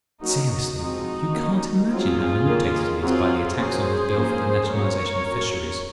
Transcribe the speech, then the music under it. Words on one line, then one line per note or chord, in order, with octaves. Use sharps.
But seriously, you can't imagine how irritated he is by the attacks on his Bill for the Nationalisation of Fisheries.
F#3 A#3 C#4 D#4 F#4
D#4 F#4
F3 G#3 C4 D#4 F#4
D#3 A#3 C#4
F#3 C4 F4 G#4
D#3 A#3 C#4
F#3 C4 F4 G#4
F#3 A#3 C#4 G#4 C5
F3 A#3 C#4
F#3 A#3 C#4 A#4 C#5
F#3 A#3 C#4